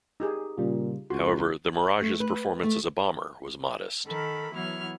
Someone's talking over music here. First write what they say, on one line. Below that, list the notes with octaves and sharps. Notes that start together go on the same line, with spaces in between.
However, the Mirage's performance as a bomber was modest.
D#4 G4 G#4
A#2 C#3 G3 F4
C#2 F#4 C6
A3
B4
A3
D#3 A4 A#4 B5
E3 F#3 B3 E4 F6 G#6